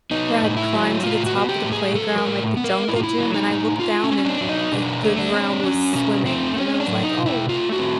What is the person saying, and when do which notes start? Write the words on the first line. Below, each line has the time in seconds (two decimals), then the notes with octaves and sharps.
where I had climbed to the top of the playground, like, the jungle gym, and I looked down, and, uh, the ground was swimming and I was, like, "Oh,
0.11 B3 D#4
0.41 A2
0.57 E4
0.73 F#3
1.03 A2 F4
1.26 F#4
1.34 B3
1.49 G4
1.65 A2
1.72 G#4
1.95 F#3 A4
2.18 A#4
2.26 A2
2.57 B3
2.64 A#4
2.88 A2 E4
2.96 F4
3.04 E4
3.18 F#3
3.34 D#4
3.49 A2
3.79 A3 F4
4.03 C#4
4.10 C4
4.26 D4
4.41 F#3
4.49 D#4
4.72 B2 D4
5.03 A3
5.18 D4
5.33 C4
5.64 F#3 C#4
5.95 B2 C#4
6.26 A3 C4
6.56 C4 C#4
6.80 D4
6.87 F#3
7.03 D#4
7.18 B2
7.26 E4
7.49 A3 F4
7.72 F#4
7.79 C4